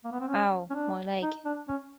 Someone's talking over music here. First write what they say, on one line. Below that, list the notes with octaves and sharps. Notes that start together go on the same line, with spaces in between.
Ow! My leg!
A#3
B3
C4
C#4
C#4
D4
D#4
D4
C#4